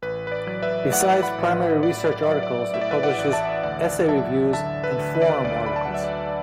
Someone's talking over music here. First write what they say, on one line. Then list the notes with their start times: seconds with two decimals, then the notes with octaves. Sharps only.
Besides primary research articles, it publishes "Essay Reviews" and "Forum" articles.
0.02 A1 B4
0.27 B4
0.32 D5
0.47 F#3
0.62 B4 E5
0.92 A2 D5 F#5
1.23 F#5 B5
1.38 A1
1.52 B4
1.83 A1 D5
2.13 D5
2.22 E5
2.28 F#3 D5
2.43 D5
2.74 A2 E5
2.81 D5
2.91 B4 E5
3.03 D5 F#5
3.18 A1
3.33 E5 A5
3.63 D2 D5 F#5
4.08 F#3 E5 A5
4.53 D3 E5 A5
4.84 B4
4.99 D2
5.15 B4
5.22 D5
5.30 B4
5.44 D2 D5
5.66 B5
5.76 A5
5.85 F#3 F#5
5.94 E5
6.04 D5